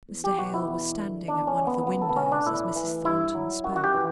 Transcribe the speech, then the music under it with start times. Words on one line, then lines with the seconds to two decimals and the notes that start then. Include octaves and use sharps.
Mr. Hale was standing at one of the windows as Mrs. Thornton spoke.
0.09 E2
0.24 G4
0.38 B2 F#4
0.54 E4
0.68 E2
0.98 D3
1.28 E2 D4
1.47 C#4
1.58 C#3
1.67 B3
1.87 C#2 B3
2.02 A4
2.09 B3
2.16 B2 C#4
2.32 D4
2.46 A2 E4
2.76 E3
3.05 G2 E4
3.35 F#3
3.64 F#2 F#4
3.76 F#4
3.84 G4
3.94 E3